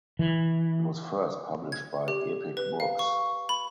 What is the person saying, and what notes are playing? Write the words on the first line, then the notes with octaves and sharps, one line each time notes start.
It was first published by Epic Books.
E3
G#6
G4
B4
F5
C#6
B5